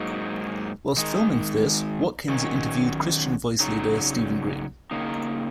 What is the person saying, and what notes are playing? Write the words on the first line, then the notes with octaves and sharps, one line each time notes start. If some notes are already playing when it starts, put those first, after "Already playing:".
Whilst filming for this, Watkins interviewed Christian Voice leader Stephen Green.
Already playing: G#2 F#3 A#3 D#4
D#3 G#3 D#4
D#3 F#3 C#4
C#3 F#3 D#4
C#3 A#3 D#4